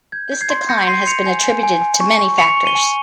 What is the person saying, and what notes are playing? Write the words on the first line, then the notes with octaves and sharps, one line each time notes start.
This decline has been attributed to many factors.
G6 G#6
G6
G#6 C7
C6
G6 A#6 C#7
C6 C7 D#7
C6 C#7 F7
G#5
G#5
G#5
G#5
C#6
C#6
C#6 C#7 F7
C#6
D#7 G7
G#5